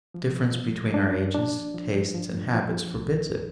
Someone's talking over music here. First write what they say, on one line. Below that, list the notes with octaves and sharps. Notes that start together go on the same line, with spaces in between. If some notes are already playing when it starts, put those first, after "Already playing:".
The difference between our ages, tastes, and habits, forbids it.
F3
F3
D4
D4
F3
F3
F3
C2